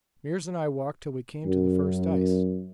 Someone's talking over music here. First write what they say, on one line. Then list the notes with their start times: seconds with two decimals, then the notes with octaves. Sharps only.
Meares and I walked till we came to the first ice.
1.45 F#2